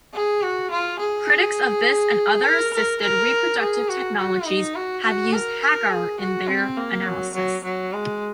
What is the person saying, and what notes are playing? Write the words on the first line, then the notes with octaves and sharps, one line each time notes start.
Critics of this and other assisted reproductive technologies have used Hagar in their analysis.
G#4
F#4
F4
G#4
A#4
A#4
A#4
G#4
F#4
F#4
D#4
F#4
F#4
A#4
A#4
G#4
F#4
C4
A#3
F#3
F#3
F#3
G#3